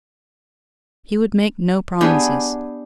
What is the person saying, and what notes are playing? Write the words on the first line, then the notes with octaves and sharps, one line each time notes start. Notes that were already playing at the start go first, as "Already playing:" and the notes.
He would make no promises.
B3 D4 G4 G#4